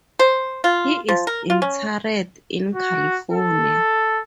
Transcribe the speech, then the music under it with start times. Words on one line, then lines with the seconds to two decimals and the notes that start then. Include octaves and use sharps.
He is interred in California.
0.19 C5
0.64 F4
1.08 F3
1.27 A#4
1.50 F4
1.62 C#4
2.75 F#4
3.33 A4